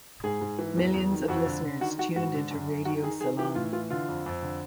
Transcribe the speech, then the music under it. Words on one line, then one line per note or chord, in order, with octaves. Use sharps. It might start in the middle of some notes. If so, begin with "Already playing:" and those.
Millions of listeners tuned into Radio Ceylon.
G#2 G#4
G#2
E3
E2
E2
D#3
F2 F#4
D3
D3
D#3 F#4
D#3 F#4
G#2 F#4
D3
F#2
F#2
D#3 F#4
D#3 G#4
D#3 G#4
E3 G4
A2 F4
E3 F4
D3 F4
F2
F2
D3